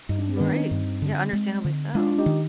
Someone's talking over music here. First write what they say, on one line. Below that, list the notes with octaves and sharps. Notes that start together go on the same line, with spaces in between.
Right. Yeah, understandably so.
G2 D#4
D4
C4
D#3 B3 D4
C4 D#4
G2
D3
G#3
D3
G#3 D4 F4
F4
D#4 G4
D#3